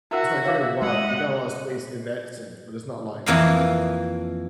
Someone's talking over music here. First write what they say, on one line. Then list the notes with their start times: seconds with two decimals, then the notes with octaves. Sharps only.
It's like very wide, we got a lot of space in that sense, but it's not like
0.11 E4 F#4 A#4 E5 F#5
0.45 C#5 F5 D6
0.82 G#3 D#5 F#5
3.26 F2 E3 A#3 F5